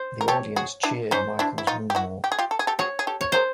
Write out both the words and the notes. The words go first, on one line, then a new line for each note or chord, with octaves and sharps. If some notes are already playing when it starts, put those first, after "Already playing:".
The audience cheered Michael's moonwalk.
Already playing: C5
A#4
G4 A4 C#5
F#4 G#4
D4 E4
C#4 D#4 C5
D4 E4
E4
D#4 F4
G4
E4 F#4
G4
G#4
F4 G4
A4
G#4
G4 A4
F#4 G#4 C#5
G#4
G4 A4
C#5
G#4 A#4 C5